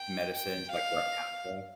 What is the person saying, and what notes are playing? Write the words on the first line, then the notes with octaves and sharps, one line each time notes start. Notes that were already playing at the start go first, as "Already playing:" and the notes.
medicines like Repatha
Already playing: G5
G5
F5